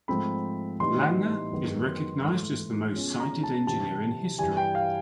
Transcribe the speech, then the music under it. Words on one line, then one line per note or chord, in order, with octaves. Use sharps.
Langer is recognized as the most cited engineer in history.
G#2 F3 A3 C4 B5
A2 E3 G3 B3 D#4 C6
F#2 D#3 G#3 B3
G#2 E3 A3
B2 G#3 C#4 F4
A#5
A5
C3 E3 G3 C4 A5
G2 E3 G3 G#5
G5
F5